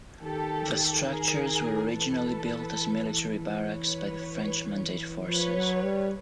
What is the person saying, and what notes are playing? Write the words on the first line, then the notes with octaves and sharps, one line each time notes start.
The structures were originally built as military barracks by the French Mandate forces.
D#3 G4 A4
G#4 A#4
E3 A4 B4
B4 C#5
F3 B4 C#5
F#3
G3